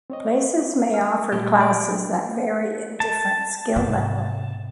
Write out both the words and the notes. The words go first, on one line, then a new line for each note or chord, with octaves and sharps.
Places may offer classes that vary in different skill level.
C4 C#5 D#5
A#4 F6
A#2 G3 A3 G4
D5
F#3 D4
A5
G#2 C3